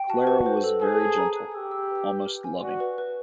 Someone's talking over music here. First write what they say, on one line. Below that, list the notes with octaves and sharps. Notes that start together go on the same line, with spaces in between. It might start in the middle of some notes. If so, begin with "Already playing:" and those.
Clara was very gentle, almost loving.
Already playing: G5
F#4 A5
B4
C5
A4
G#4 A5
A5
A#5
F#6
G4 E6
E6
B4
B4
F6
G#5
F#4 D5
B4
B4